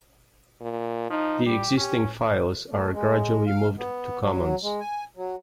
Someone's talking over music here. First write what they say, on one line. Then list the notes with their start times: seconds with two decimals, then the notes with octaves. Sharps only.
The existing files are gradually moved to Commons.
0.61 A#2
1.10 F3 D#4
1.46 G3 G4
1.77 C#4 G4
2.71 A3
2.94 G#3
3.47 F5
3.78 B3
4.21 F#3
4.63 G#3
4.80 G#5
5.17 F#3